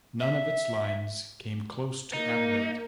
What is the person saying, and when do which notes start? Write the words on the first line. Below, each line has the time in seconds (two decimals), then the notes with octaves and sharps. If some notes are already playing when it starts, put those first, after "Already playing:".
None of its lines came close to Adelaide.
0.20 E5
2.13 A#3 D#4